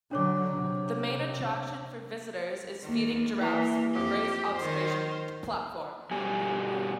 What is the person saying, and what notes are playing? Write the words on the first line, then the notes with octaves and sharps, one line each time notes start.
The main attraction for visitors is feeding giraffes from a raised observation platform.
D3 F#3 D4 C#5 D6
C3
D#2
E3 A#3
F2 G4
D#3 C5
G2 B2 G3 A3 G#5